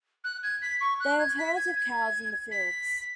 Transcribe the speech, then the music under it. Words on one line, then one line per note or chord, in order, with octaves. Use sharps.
They have herds of cows in the fields.
F#6
G#6
B6
C#6
F#6
G#6
B6
G#6
G#6
B6